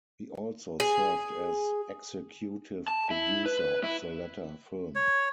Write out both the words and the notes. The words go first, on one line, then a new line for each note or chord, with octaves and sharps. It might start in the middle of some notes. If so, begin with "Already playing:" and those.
He also served as executive producer of the latter film.
G#4
A5
E4
B4
E4
C#5